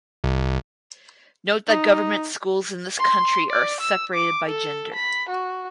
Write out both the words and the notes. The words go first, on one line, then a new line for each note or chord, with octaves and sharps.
Note that government schools in this country are separated by gender.
C2
D#4
C6
D5
E6
D6
A4
B5
F#4